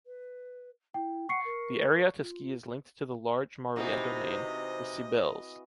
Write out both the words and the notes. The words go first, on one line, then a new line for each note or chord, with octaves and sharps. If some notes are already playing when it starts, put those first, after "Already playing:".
The area to ski is linked to the large Maurienne domain, the Sybelles.
B4
E4 G5
F#5 C#6 C7 C#7
A#4
F4
C3 E3 C4 D#4 F#4 D#5